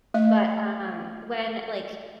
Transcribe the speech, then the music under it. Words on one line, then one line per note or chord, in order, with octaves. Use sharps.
but, um, when, like,
A3 D#5